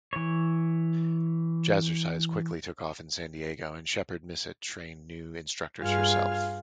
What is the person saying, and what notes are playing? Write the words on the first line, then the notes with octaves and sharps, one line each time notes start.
Jazzercise quickly took off in San Diego and Sheppard Missett trained new instructors herself.
E3 C#5
G2 F4 G#4 F5 F6 G#6